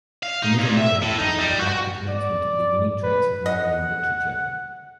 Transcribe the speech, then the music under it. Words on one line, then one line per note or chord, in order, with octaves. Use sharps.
The Middle Malayalam period marked the commencement of the unique traits of Malayalam literature.
F5
D#4
A#2
E5
A2
D#4
G3
F#4
D5
B4
D#5 F#5